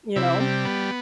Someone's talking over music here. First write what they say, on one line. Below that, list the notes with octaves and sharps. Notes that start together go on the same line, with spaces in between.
You know?
C3 E4
G3
B3